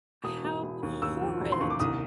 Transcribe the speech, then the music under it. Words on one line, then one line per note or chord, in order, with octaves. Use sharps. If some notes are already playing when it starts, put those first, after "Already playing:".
How horrid.
E1 D#6
E1
E1
D#2
D#2 E6
F3
E1
C6
D#2 C#6
D6
C2 D#6